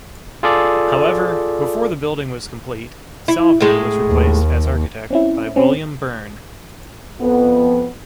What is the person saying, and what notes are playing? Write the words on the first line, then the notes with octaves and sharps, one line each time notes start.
However, before the building was complete, Salvin was replaced as architect by William Burn.
F4 G#4 A4 D5
E4
A2 G#3
D#2
C4 C#4 E4
C4 C#4
F2 B3